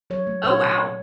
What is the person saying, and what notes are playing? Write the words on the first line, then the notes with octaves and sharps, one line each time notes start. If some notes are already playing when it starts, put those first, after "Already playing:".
Oh, wow.
F#3 C#5
A3
A#2 C#5